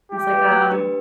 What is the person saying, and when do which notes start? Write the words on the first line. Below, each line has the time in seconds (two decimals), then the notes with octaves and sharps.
I was like, um,
0.12 E4 G4
0.31 B4 F5
0.51 A3
0.71 D4 G4 B4